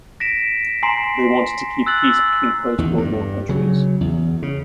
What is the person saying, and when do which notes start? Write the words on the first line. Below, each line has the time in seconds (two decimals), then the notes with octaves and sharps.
They wanted to keep peace between post-world war countries.
0.20 A#6 B6 D7 E7
0.83 G#5 A#5 C6 C7
1.86 E6 F#6 A6 F#7
2.78 E2 D#3
2.98 G2
3.49 C#3 F#3
4.01 E2
4.42 C#3